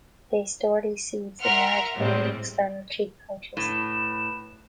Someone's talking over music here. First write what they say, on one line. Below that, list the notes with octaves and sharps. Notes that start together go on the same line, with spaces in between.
They store these seeds in large hairy external cheek pouches.
A#4 E5 F#5 C6 F6
A2 G3 G#3 C4
A2 B4 E7